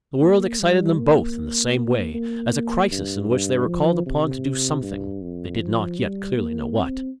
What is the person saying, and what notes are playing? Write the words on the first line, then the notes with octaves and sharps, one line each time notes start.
The world excited them both in the same way; as a crisis in which they were called upon to do something--they did not yet clearly know what.
A#3
G3
A#3
A#3
A#3
G2
G2
F3
C3
G2
F2
F3
G3
A#3
C4